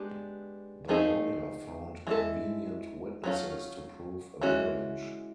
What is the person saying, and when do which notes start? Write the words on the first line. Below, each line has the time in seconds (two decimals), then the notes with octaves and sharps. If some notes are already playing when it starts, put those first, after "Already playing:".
The lawyer found convenient witnesses to prove a marriage.
Already playing: G#3 B3 D4 G4
0.88 F3 A3 C4 D#4 G#4
2.07 E3 G#3 C4 E4 A4
3.24 F#3 A3 C#4 F4
4.41 E3 G#3 C#4 F#4